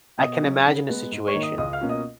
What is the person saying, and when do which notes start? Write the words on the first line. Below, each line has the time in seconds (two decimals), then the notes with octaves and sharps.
I can imagine a situation
0.19 B2 D#5 D#6
0.42 F#3 C#4
0.66 C#3
0.89 G#3 B3
1.12 G#2
1.27 C#5 C#6
1.34 D#3 A#3 D#4
1.43 D#5 D#6
1.58 C#2 D#5 D#6
1.73 F5 F6
1.81 B2 A#3 C#4 F4
1.89 D#5 D#6